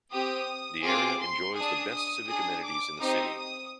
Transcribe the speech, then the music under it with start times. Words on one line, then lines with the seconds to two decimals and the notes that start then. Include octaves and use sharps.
The area enjoys the best civic amenities in the city.
0.12 C4 G4 D#6
0.83 C4 F4 G#4 D6
1.20 C6
1.55 D4 G#4 D#6
1.91 D#6
2.28 D4 G#4 D#6
2.63 D6
3.00 C4 D#4 G4 D#6
3.36 D#6